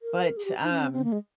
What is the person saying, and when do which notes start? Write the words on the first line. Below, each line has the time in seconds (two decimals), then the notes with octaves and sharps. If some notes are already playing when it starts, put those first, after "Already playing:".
but, um,
0.02 A#4
0.37 G#4
0.45 G4
0.62 D#4
0.71 C#4
0.81 C4
0.93 C4
1.04 A#3
1.12 G#3